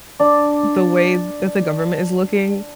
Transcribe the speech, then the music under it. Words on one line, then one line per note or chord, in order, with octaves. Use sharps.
the way that the government is looking,
D4 D5